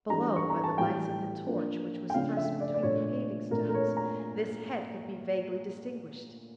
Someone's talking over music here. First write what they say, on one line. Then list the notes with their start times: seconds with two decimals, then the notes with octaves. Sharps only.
Below, by the lights of the torch, which was thrust between the paving-stones, this head could be vaguely distinguished.
0.09 E3 G3 D4 A#5
0.36 C#6
0.50 A#5
0.64 A5
0.78 A2 E3 G3 G5
1.47 F3 A#3 D4
2.10 G5
2.14 C#3 F3 A3 D4 F5
2.37 E5
2.60 D5
2.74 D5
2.83 A#2 A3 D4 C#5
3.51 A#2 A3 D4 A#4
3.69 A#4
3.74 C#5
3.97 A#5